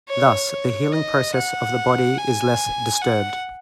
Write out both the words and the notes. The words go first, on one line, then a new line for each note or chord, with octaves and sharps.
Thus, the healing process of the body is less disturbed.
C#5
C#5
D#5
F#5
G#5
F#5